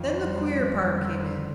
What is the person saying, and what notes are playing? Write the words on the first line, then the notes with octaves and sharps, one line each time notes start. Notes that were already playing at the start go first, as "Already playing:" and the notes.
Then the queer part came in.
Already playing: F2 D#3
C5
G3
F2
D3 C5
B4